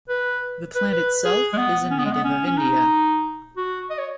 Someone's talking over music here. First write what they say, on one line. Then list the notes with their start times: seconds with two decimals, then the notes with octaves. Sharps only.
The plant itself, is a native of India.
0.09 B4
0.75 B4
0.92 B4
1.24 G#4
1.53 G#3
1.57 B3
1.90 C#4
1.98 B3
2.05 G#3
2.12 B3
2.24 C#4
2.46 C#4
2.57 D#4
3.57 F#4
3.90 D#5
3.98 C#5